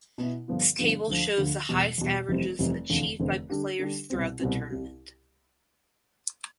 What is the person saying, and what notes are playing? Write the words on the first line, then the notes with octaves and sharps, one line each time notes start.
This table shows the highest averages achieved by players throughout the tournament.
B2 B3 E4
G2 D3 F3 B3 F4
G2 D3 F3 B3 F4
D2 D3 F3
D2 D3 F3
E2 B2 G3
E2 B2 G3
F1 F2 E3 G3 C4
F1 F2 E3 G3 C4
F1 E2 D3 F3 C4
F1 E2 D3 F3 C4
D3 G3 D4 G4
D3 G3 D4 G4
C2 B2 G3 C4
C2 B2 G3 C4
C2 C3 G3